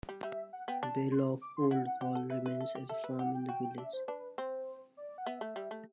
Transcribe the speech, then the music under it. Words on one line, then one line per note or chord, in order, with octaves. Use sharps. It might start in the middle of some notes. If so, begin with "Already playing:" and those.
Bylaugh Old Hall remains as a farm in the village.
G3
G3 E5
F#5
B3 G5
D4 A5
C6
D6
C6
E4 F#5
F#5
G4
A4
B4 E5
B4
A4
G4
A4 E5
B4
G4 F#5
G5
F#4 G5
G5
D4 E5
C5
D4 B4
C4 C5
D5
F#5
B3 E5
A3
G3
A3